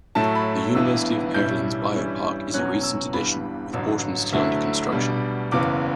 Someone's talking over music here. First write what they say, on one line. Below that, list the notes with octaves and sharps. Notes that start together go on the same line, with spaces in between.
The University of Maryland's BioPark is a recent addition, with portions still under construction.
A2 F#3 A3 E4 A5
B5
G1 G2 E3 B3 E4 E6
B1 A2 G3 C#4 E4 G6
G2 E3 G3 C#4 E4
E2 B2 F#3 C#4 F#6
E6
G1 G2 E3 G3 B3 B5
A1 G2 D3 F#3
D2 D3 F#3 A3 E4 E5
B1 B2 G3 D4
F#1 E2 C#3 E3 D6